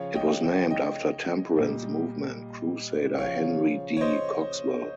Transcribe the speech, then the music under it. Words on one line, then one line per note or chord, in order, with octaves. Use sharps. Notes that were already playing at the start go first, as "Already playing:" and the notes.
It was named after temperance movement crusader Henry D. Cogswell.
Already playing: C#3 F3 C#5 F5
D#5 G5
D#5 G5
D#5 G5
A#2 G3
C#3 F3 C#5 F5
C#5
C5 D#5